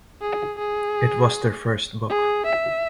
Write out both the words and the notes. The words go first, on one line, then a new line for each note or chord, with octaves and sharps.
It was their first book.
G#4
G#4
G#4
E5